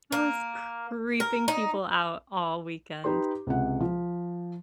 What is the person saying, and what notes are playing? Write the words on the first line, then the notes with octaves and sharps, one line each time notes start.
I was creeping people out all weekend.
A#3
A#4
D#4
D#4 G4 B4 C6
C#2 C3 F#5
F3